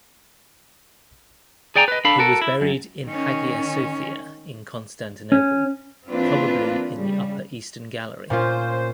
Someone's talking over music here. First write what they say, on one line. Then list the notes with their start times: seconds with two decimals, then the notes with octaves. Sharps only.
He was buried in Hagia Sophia in Constantinople, probably in the upper Eastern gallery.
1.76 G#4 D5 G5 G#5 A#5
1.88 B4 D#5
2.05 D4 A4 F5 B5
2.18 F#4 A4 A#4
2.42 E4
2.61 F#2
3.06 D#3 C#4
5.32 C#4
6.08 E3 A#3 C4 D4 F4 B4
6.91 C#3 G3
8.30 A#2 C#4 F4 C5